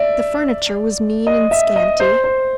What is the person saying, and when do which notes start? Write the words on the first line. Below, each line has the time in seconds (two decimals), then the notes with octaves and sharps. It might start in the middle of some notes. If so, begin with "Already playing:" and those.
The furniture was mean and scanty.
Already playing: D5 E5
1.27 D#5
1.51 E5
1.76 D#5
2.00 C5
2.24 C5